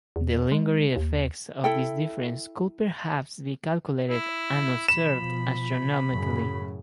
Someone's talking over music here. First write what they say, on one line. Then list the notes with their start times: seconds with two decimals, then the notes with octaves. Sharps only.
The lingering effects of this difference could perhaps be calculated and observed astronomically.
0.16 E2
0.52 G#3
0.96 D#2
1.64 E4 A4 G5
4.10 E4
4.88 B2 F3 B5 E7
6.11 F#2 A2 C#3